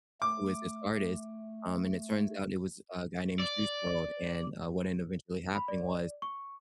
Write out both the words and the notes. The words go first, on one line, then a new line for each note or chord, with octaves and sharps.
who is this artist? Um, and it turns out it was a guy named Juice WRLD, and, uh, what ended up eventually happening was
A3 D6
D5
B5
D5
C#6